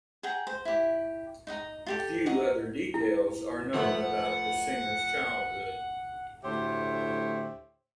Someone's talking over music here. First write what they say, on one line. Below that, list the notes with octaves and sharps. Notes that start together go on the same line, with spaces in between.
Few other details are known about the singer's childhood.
G#4 F#5 G5 A#5
C5
E4 G4
D#4 D#5 F#5 A#5
F4 G4 A4
F#4 D#5 A#5
E4
F3 A3 B3 F#5
D2 A2 G4 C5 C#5 E5